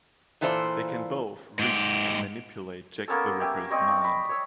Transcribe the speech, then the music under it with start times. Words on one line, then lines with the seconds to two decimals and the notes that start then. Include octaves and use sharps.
They can both read and manipulate Jack the Ripper's mind.
0.41 A#2 E3 F4 A4 C5 D5
1.59 G#2 G4
3.08 A#3 B3 C#4 A4
3.40 G4 E5 G#5
3.71 C4 D5 D#5 C#6
4.04 B5
4.29 C#5 E6